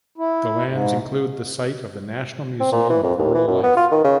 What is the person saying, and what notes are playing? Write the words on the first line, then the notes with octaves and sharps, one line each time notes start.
The lands include the site of the National Museum of Rural Life.
E4
G#2
C4
A#2
E3
F2
D#2
E3
F#2
B3
F4
D#3
C#3